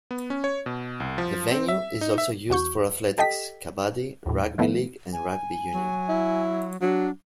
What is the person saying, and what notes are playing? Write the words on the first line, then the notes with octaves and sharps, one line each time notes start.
The venue is also used for athletics, kabaddi, rugby league and rugby union.
B3
C#4
C#5
B2
C2
F3
C4
E5
D#4
E5
E2 F#4 C#6 G6
G4 A4 D#5 G5 B6
D#2 A2
D#3 F3 A3 B3 E4
G#5
F#3
E4
F#3 D4